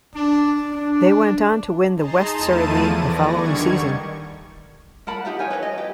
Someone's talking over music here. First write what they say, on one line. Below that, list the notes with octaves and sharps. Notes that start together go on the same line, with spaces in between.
They went on to win the West Surrey League the following season.
D4
D4
D#4 G#4 A5 A#5 C6
E2 F3 A3 E4 A5 D#7
E2 E3 D5 A#6
D3 D#3 G3 C#6 G#6
A#4 F#5 A5 B5
D#4 G4 E5 F#5
A#4 C#5 G#5
B4 C#5 D#5 E5
D#5
G4